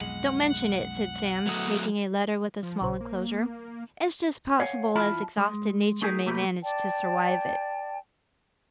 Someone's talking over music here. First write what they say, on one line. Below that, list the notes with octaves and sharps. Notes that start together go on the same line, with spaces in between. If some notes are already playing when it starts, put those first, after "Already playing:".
'Don't mention it,' said Sam, taking a letter with a small enclosure. 'It's just possible as exhausted natur' may manage to surwive it.'
B1 F2 G#3 F#5
F#3 A3 B3 D#5 D#6
F3
A#1 C#3 C5
A#3
C#5 F5 F#5 G#5
E2 E4 F4 G5 A5 B5
G#3
A3 D#4 G4 G#4 A#4 G#5
C2 F#3 A3 A#3 G4 B4
D5 G5 A5